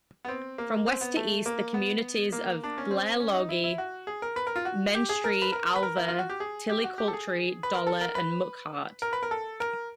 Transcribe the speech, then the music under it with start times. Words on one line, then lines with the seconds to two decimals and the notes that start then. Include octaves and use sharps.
From west to east the communities are Blairlogie, Menstrie, Alva, Tillicoultry, Dollar and Muckhart.
0.25 B3
0.28 C4
0.58 A#3
0.86 C4
1.01 B3
1.17 A3
1.46 A#3
1.74 B3
2.32 A#3
2.64 D4
2.78 C#4
2.91 C4
3.20 C#4
3.34 D#4
3.49 E4
3.64 E4
3.78 F#4
4.07 G#4
4.22 A#4
4.36 B4
4.47 A#4
4.56 F4
4.65 F#4
4.95 G4
5.09 G#4
5.24 A#4
5.42 B4
5.52 A#4
5.76 B4
5.83 A#4
5.96 E4
6.08 F4
6.19 F#4
6.30 G4
6.40 G#4
6.69 G4
6.84 F#4
6.98 G4
7.08 A4
7.13 G#4
7.63 B4
7.75 A#4
7.87 A4
8.01 A#4
8.15 B4
9.02 A#4
9.13 B4
9.23 A#4
9.31 A4
9.60 A#4